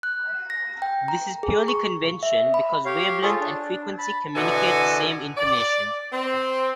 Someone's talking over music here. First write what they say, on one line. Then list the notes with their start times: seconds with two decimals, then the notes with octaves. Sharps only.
This is purely convention because wavelength and frequency communicate the same information.
0.03 F#6
0.50 A#6
0.82 G5
1.08 A#5
1.43 G#4
1.68 C#6
2.23 E5
2.54 B5
2.85 G4 C#5 F5
3.22 F4 G#4 A4 C#5
3.40 D4
3.98 A5 B5
4.36 B2 D3 E3 F#4 A4 G#5
5.37 D5
6.13 C4